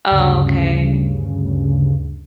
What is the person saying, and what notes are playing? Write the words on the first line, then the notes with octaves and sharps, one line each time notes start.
Oh, okay.
D2 G2 C#3